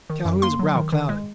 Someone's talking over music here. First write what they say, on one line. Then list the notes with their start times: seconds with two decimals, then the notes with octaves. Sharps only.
Calhoun's brow clouded.
0.10 D#3
0.25 F#2
0.42 A#3 C6
0.59 F#3
0.75 D#3
0.92 D#3
1.09 G#3